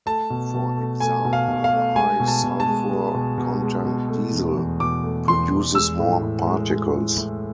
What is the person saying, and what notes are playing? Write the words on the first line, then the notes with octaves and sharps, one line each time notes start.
For example, a high sulfur content diesel produces more particles.
A3 A5
B2
B2
A3
A3 G#5
B2
F5
B2
F5
A3
G#3 G#5
B2
A5
B2
A5
G#3
G#3
B2
B2
G#3
B2
A3
E2
E2
B2 D6
A3
E2 C6
E2
G#3 E6
A2
A2
G#3
G#3
A2
A2